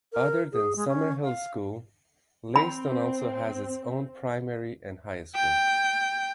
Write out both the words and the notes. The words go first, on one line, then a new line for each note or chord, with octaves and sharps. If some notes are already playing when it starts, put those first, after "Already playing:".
Other than Summerhill School, Leiston also has its own primary and high school.
A#4
G#4
G#3
C#4
F5
C4 B5
G5